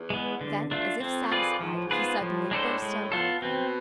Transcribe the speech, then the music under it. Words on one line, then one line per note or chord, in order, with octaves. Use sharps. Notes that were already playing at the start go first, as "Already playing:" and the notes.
Then, as if satisfied, he suddenly burst out laughing.
Already playing: E2
G#3 B3
D3
A3 D4 F4
F2 C4
F4 G#4 B4 D5
G#2 F3
A2
G#2
B3 F4 G#4 B4
A2 F3
G#3 D4 A4 C5
G#3
B3 F4 A4
B2 C4